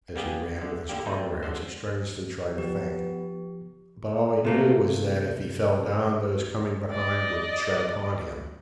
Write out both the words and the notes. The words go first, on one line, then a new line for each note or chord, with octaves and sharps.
As he ran with his comrades he strenuously tried to think, but all he knew was that if he fell down those coming behind would tread upon him.
G3 A#3 B3 G4 G#4
E2 D3
G#2 D3 A#3 G4
B1 B2 A3 C4 D#4
G#1 D3 C5
F3 B3 G4
C3 A3 A#3
D5 D#5